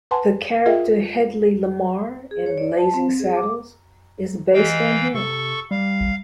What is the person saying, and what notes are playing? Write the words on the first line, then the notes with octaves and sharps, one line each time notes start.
The character Hedley Lamarr in "Blazing Saddles" is based on him.
B4 F#5 G#5 A5 C6
F4 G#4 A#4 D#5 E5 G5
G#4
C#5
D5
A5
C4
G#4
D6
E3 D#5 F5 G5
C3 A4 C#6
G3 F5